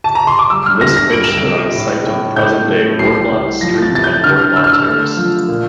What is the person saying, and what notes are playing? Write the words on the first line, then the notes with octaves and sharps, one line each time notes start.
This pitch stood on the site of the present-day Wardlaw Street and Wardlaw Terrace.
A5
A#5
C6
D6
G3 E6
F6
D2 A#6
A#6
G3 D7
E7
D7
C3
A2
A2
A2 G6
A3
C2 C7
C2
F3 A#6
A6
C3 A6
G6
D3 F6
D3 E6
F6
E6
A3
F3
A#2